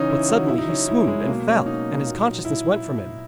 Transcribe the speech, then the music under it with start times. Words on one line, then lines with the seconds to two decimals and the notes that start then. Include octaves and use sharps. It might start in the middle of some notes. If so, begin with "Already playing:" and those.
But suddenly he swooned and fell and his consciousness went from him.
Already playing: C#3 E3 C#4 D#4
0.10 E4
0.28 F#4
0.48 C#3 F#3 E4
0.58 D#4
0.69 C#4
0.88 E4
1.08 G#3
1.27 B2 F#3 A#3
1.47 C#4
1.66 D#4
2.06 A#2 F#3
2.45 E4